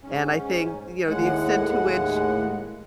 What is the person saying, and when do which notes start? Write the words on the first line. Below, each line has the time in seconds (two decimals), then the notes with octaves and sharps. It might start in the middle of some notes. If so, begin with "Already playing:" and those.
and I think, you know, the extent to which
0.04 G#2 C#4
1.06 D#2 A2 G#3 F#5